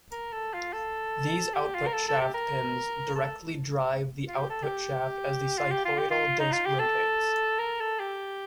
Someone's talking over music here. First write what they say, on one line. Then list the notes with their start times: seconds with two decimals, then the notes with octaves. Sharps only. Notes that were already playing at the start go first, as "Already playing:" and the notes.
These output shaft pins directly drive the output shaft as the cycloidal disc rotates.
0.12 A#4
0.33 A4
0.53 F4
0.73 A4
1.54 G4
1.75 F4
1.87 A#4
1.94 A4
2.08 A4
2.21 G4
2.34 A#4
3.15 A4
4.28 F4
4.36 G4
4.50 A4
4.63 G4
5.58 F4
5.71 G4
5.85 F4
5.98 G4
6.11 F4
6.39 D#4
6.52 F4
6.66 G4
6.79 A4
7.59 A#4
7.81 A4
8.00 G4